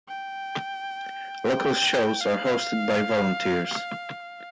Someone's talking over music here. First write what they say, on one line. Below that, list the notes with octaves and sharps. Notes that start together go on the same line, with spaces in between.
Local shows are hosted by volunteers.
G5
G5
F5